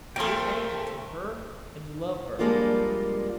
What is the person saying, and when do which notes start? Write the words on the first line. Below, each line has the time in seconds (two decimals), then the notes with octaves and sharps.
You're thankful to her, and you love her.
0.16 C3 F3 A3 A#3 A4 G5 C6
2.39 F3 G3 G#3 A#3 D4 F4